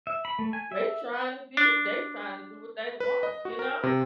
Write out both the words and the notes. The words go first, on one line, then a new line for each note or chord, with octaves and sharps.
They trying to be they trying to do what they want, you know,
E5
B5
A3
G#5
E5
D4
B4
D#5
F#4
A#4
C3